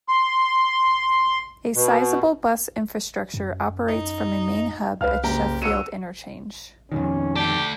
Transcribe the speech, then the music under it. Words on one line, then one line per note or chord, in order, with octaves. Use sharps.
A sizeable bus infrastructure operates from a main hub at Sheffield Interchange.
C6
B2
F#2
D#4
C2 B4 F5 F6
F#1 G4 A#5
F#3 E6 C#7 D#7
F2 B2 D#3 C#4
A3 G4 D5 A5